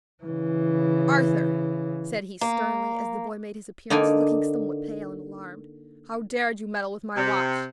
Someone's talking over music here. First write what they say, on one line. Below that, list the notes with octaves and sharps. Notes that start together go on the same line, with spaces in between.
"Arthur," said he sternly, as the boy made his appearance, looking somewhat pale and alarmed, "how dared you meddle with my watch?"
C#3 E3
A#3
D3 A#3 D#4 D5 G5 G#5
C3